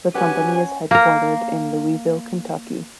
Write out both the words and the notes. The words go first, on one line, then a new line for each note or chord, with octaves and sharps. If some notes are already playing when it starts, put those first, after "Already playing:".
The company is headquartered in Louisville, Kentucky.
F#3 C#4 G4 B4 F#5 G#5
A#3 A#4